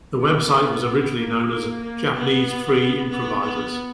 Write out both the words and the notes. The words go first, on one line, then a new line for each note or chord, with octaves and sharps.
The website was originally known as "Japanese Free Improvisers".
B3
A#3
A#3
A#3
B3
B3
B3